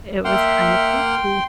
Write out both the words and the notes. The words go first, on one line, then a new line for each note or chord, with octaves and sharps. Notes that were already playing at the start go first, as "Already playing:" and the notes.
it was kinda creepy.
A#3 E5 F#5 G5 C6 F6